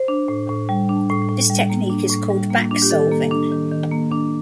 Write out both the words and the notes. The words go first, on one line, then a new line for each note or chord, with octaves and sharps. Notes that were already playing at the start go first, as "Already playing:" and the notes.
This technique is called backsolving.
Already playing: C5
D4
A2
A2
G3
D4
A2
A2
G3
A#3
D4
A2
G3
A#3
D4
G4
D#3 A4
A#3
D4
D#3
D#3
A#3
D4